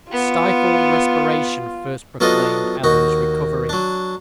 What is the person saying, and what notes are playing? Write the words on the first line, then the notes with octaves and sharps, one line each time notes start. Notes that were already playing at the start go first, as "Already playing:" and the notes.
Stifled respiration first proclaimed Eleanor's recovery.
B3 F4
F#3 B3 D4 F4 A4 D#5
D#2 D#4 F#4
F#3 D4